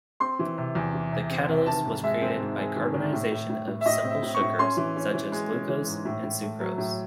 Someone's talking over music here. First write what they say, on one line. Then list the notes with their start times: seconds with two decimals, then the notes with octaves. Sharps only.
The catalyst was created by carbonization of simple sugars such as glucose and sucrose.
0.20 C4 C6
0.39 E3
0.58 C3
0.75 E2
0.94 E3
1.12 C3
1.30 C4
1.49 C3
1.66 D#3 A5
1.85 G#2
2.03 G#3 E5
2.22 C4
2.40 G#2
2.58 G#3
2.76 D#3
2.94 D#3
3.13 A2
3.32 A2
3.49 A2
3.68 A2
3.81 E5
3.86 A2 D#5
4.04 C4
4.10 E5
4.23 A2
4.35 C#6
4.41 A2
4.59 C#4 C6
4.77 E3
4.96 C#4
5.14 E3
5.32 G#3
5.50 C#4
5.68 E3
5.87 G#2
6.05 A2
6.24 A2
6.42 A3
6.60 F#3
6.78 A2